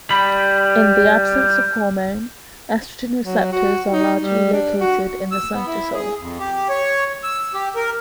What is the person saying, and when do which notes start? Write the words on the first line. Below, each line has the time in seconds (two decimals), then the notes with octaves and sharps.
In the absence of hormone, estrogen receptors are largely located in the cytosol.
0.10 G3 B5
3.24 F#3
3.52 F#4
3.93 D#4
4.19 G3
4.53 D4
4.80 F#4
5.31 E6
5.53 B3
5.67 E4
5.94 G#4
6.20 F2
6.39 G4
6.69 C#5
7.24 E6
7.54 G4
7.76 A#4